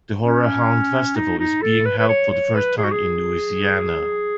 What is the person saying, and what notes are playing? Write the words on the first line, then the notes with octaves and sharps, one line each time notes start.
The Horror Hound festival is being held for the first time in Louisiana.
C#4
D#4
D#4
A4
B4
B4
C#5
C#5
B4
G#4
F#4
G#4